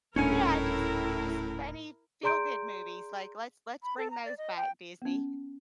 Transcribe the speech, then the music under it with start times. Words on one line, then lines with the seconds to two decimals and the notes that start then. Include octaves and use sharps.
yeah, just just funny feel-good movies, like, let's let's bring those back, Disney,
0.16 D#1 A2 C#4 D4 E4 A#4 C#5 G#5
2.23 G#4 D5 A#5 C6 G6 D7
3.83 B5
3.97 A4
4.11 A#5
4.25 D5
4.38 D#5
4.57 G5
5.02 B3 C#4